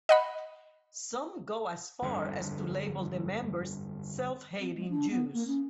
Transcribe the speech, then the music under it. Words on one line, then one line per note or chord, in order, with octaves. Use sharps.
Some go as far as to label the members self-hating Jews.
D#5 F#5 B5
G1 F2 G#2 D3
C4
G#3
D4
B3
A#3
C#4